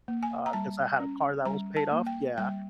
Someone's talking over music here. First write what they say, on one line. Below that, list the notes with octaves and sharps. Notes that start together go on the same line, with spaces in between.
uh, 'cause I had a car that was paid off yeah,
A#3
G#5
A#5
G3 A5
C#4
G3 A#5
A5
A#3
G5
G3 G5